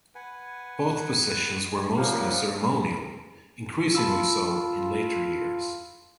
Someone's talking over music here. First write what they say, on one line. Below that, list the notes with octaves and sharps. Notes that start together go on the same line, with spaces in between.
Both positions were mostly ceremonial, increasingly so in later years.
B4 F#5 G#5
G#3
C#3 F3 G3 A#3 F5 F#5
F4 A5 B5 E6